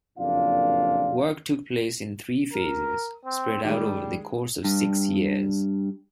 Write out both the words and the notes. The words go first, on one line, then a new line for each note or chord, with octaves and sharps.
Work took place in three phases spread out over the course of six years.
F#1 F2 A#2 D4 F4 F5
A#4
C4
D#3 G3 G#3
G2